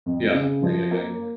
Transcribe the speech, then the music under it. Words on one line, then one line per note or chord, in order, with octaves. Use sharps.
Yeah. Yeah, yeah, yeah, yeah.
F2
C#3
F3
A#3